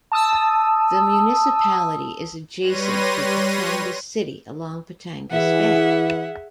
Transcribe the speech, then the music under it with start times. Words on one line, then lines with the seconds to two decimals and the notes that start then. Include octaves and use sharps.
The municipality is adjacent to Batangas City, along Batangas Bay.
0.12 A5 D#6 E6
2.61 G3 B4 C#5 C6 A#6 D#7
5.31 E3 G#4 E5 F#5